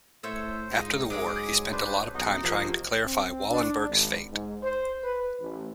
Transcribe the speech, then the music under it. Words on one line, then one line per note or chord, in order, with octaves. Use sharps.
After the war, he spent a lot of time trying to clarify Wallenberg's fate.
A2 A4 C5 C#5 E5
G#2 D#4 F4
F#3 G#3 C#4 D6 D#6
D4 B4 C5
B1 D#4 F#4
C3 F3 G#3 A#3
C4
D4
G#1
G#2
C5
B4
A1